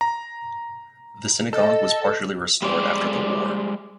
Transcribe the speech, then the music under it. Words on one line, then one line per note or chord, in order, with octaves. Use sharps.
The synagogue was partially restored after the war.
A#5
A4 D#5
G3 G#3 C5 D5